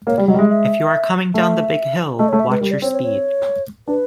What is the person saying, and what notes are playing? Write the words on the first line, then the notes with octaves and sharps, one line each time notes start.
If you are coming down the big hill, watch your speed!
A#3 C#5
G3 D5
F#3 D#5
G3
G#3 E5
E5
A3 E5
A3 D#5
C#5
A3
E5
G#3
B4
G3 A#4
D5
C4 C#5
C#5
C#5
D4 B4